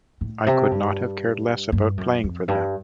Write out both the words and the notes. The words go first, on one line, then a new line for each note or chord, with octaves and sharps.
I could not have cared less about playing for them.
A2
C3
G2
G2
F#2
F2
G2